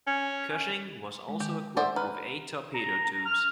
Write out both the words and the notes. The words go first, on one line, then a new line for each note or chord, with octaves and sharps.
"Cushing" was also equipped with eight torpedo tubes.
C#4
G#3
D#3 G4
C5 D5 E5 F#5
B4 A#5 B5 F6
A#5
A#5
F6